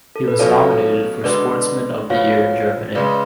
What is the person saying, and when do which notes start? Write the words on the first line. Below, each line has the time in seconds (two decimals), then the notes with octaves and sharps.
He was nominated for Sportsman of the Year in Germany.
0.16 A4
0.28 B4
0.39 B2 F#3 C#4 F4 A4 C#5
1.24 D3 G#3 D4 F#4 B4 D5
2.09 A2 F3 B3 F#4 C#5 F5
2.95 C#3 G#3 C#4 B4 D5